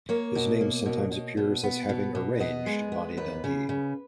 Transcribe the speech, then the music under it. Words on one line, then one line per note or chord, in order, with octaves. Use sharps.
His name sometimes appears as having "arranged" "Bonnie Dundee".
A#3 C#5
B2
A#3
B2
B2
B2
B3
B2
B2
B3 D#5
G#3
B3
D#2 B4
C#3
C#3